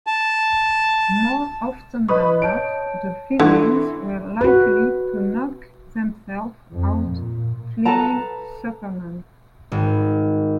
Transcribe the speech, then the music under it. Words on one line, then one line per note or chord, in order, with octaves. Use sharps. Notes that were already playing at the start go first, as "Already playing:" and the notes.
More often than not, the villains were likely to knock themselves out fleeing Superman.
A5
B4 D#5 C#6 D#6
C#5 A5 G6 D7
D3 E3 E4 C6 C#6
F#4 B4
F2
A#2
A4 B4 A5 A#5
G#1